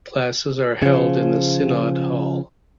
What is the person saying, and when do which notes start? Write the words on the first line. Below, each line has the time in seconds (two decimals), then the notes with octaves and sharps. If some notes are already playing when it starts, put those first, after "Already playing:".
Classes were held in the Synod Hall.
0.82 C#3 F3